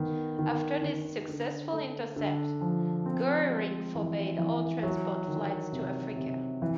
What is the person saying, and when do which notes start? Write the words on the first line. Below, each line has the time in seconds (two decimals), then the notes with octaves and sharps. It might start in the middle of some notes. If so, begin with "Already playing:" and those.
After this successful intercept, Goering forbade all transport flights to Africa.
Already playing: D#3 B3
0.39 D#3
0.82 D#3
1.28 D3
1.72 A3
2.16 D3
2.61 F3
3.06 C4
3.50 G#3
3.95 E3
4.39 E3
4.83 F#3
5.28 D#3
5.72 C3
6.17 C3
6.62 E3